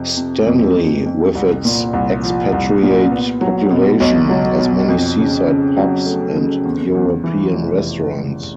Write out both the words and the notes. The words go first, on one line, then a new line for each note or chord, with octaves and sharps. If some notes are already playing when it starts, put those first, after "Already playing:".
Stanley, with its expatriate population, has many seaside pubs and European restaurants.
Already playing: F2 C3
C3
F2
F2
F2
C2
A#2
C2
F3
C2
A#2
B3
F#3
B2
B1
F#3
B2
F2
C#3
C#3
F#3
A3
C#3
E2
E2
E3
F1